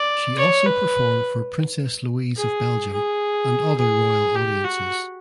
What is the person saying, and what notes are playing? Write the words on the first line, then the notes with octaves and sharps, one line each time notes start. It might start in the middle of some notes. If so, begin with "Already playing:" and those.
She also performed for Princess Louise of Belgium and other royal audiences.
Already playing: D5
C#5
B4
G#4
G#4
G#4
G4
F#4